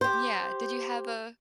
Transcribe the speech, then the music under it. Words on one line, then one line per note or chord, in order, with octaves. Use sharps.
yeah. Did you have a
G4 C5